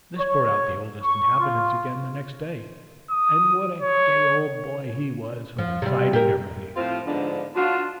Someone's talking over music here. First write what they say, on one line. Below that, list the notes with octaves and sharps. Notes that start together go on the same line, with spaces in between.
This brought out the Oldest Inhabitant again the next day--and what a gay old boy he was for deciding everything!
C#5
C#6
F4
D#6
C#5
F3
C3 G3
G4 A#4
A2 F3 C4 F4
G#2 D3 F3 B3 D4 D#4
D4 F4 F#4